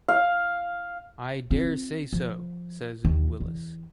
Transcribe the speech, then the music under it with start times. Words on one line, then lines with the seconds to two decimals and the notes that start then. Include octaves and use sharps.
"I daresay so," said Willis.
0.08 F5
1.50 C4 F4
2.13 F3
3.05 D#2
3.40 E2